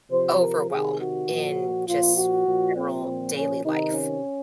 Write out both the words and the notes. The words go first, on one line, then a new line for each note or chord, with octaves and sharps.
overwhelm, in, just, general daily life.
C3 F3 C5
A#4
C3 D#3 G#4
F#4
A#2 F3
A#2 F3 F4
F#4
A#2 F3
C4
A#2 F3
C#4
C3 D#3 D#4
C#4